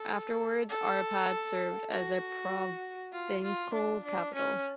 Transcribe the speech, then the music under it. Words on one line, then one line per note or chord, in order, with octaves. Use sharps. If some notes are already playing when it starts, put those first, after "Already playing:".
Afterward Arpad served as a provincial capital.
Already playing: A4
A4
F#4
F4
F4
D4
D4
C#4